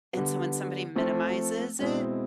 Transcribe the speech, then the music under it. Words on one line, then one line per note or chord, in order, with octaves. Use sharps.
And so, when somebody minimizes it
D3 G3 B3
F3 A3 C4
B2 G#3 C4 E4